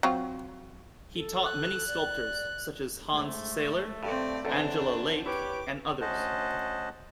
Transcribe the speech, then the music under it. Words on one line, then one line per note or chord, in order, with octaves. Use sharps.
He taught many sculptors, such as Hans Sailer, Angela Laich and others.
F#3 C4 F4
A4
F#6
D5
G#2 A3 G#4 C5
C2 G2 C4 G4 A4 D5
B1 E2 C4 D4 A4 B4 C5
E4 G4 B4 C#5 D6
D2 C#4 C5 D#5 F#5 A5